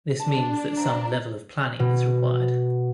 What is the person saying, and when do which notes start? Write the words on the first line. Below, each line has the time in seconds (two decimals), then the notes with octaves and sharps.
This means that some level of planning is required.
0.19 D4 A5
0.77 G2 C4 A#5
1.79 B2